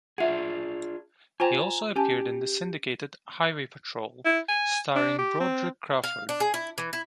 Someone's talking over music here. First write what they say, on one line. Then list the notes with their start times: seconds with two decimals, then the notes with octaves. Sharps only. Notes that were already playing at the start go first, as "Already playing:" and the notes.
He also appeared in the syndicated "Highway Patrol" starring Broderick Crawford.
0.18 D4 F4 G#4 E5 F#5
1.40 F4 C5 G5 G#5 A#5
1.96 C#4 G4 G#5 A5
4.25 E4
4.49 G#5
4.95 D4
5.19 G4
5.40 C4
6.04 F5
6.29 D4
6.40 G#4
6.54 E4
6.78 E3
6.93 E4